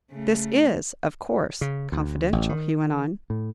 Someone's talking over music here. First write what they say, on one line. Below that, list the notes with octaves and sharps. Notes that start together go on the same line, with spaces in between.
"This is, of course, confidential," he went on.
C#3 A3
C#3
D2
A1
D#3
A2